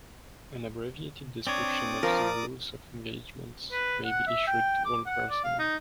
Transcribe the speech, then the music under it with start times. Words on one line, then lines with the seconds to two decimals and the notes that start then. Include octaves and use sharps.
An abbreviated description of the rules of engagement may be issued to all personnel.
1.47 C4 D4 C#5 D5 D6 D#6
2.03 F3 A#4
3.71 B4
4.04 F#5
4.27 E5
4.47 G5
4.85 D6
5.06 F#5
5.30 D5
5.44 F5
5.59 D#4